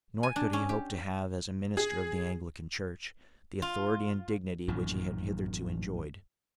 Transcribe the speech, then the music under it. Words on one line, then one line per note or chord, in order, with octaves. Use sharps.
Nor could he hope to have, as a minister of the Anglican Church, the authority and dignity which he had hitherto enjoyed.
G#5
D4
C#4
G4
G#4
F4
A1 F#2 A#2 D#3